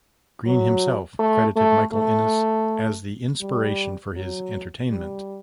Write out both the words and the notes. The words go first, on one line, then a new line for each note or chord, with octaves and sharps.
Greene himself credited Michael Innes as the inspiration for his "entertainment".
F#3
A3
A3
A3
G3
F#3
G3